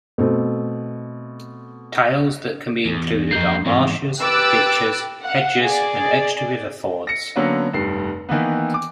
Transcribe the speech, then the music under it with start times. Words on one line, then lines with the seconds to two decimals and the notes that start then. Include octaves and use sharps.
Tiles that can be included are marshes, ditches, hedges and extra river fords.
0.18 B2 A3 C4
2.85 E2
3.31 F2 A#3 D#4 G6 C7
3.66 E2 G#2 C4
4.21 G4 B4 D6 E6 F#6 A6
5.23 F5 F#5
5.63 G#4 D5
7.07 A#6 C#7
7.36 D3 F#3 A#3 B3 C#4
7.73 F1 G2 C7
8.29 D#3 E3 A#3 B3
8.74 D6